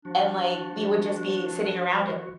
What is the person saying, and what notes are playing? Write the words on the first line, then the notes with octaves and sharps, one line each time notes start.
and, like, we would just be sitting around him.
F3 D4 F#4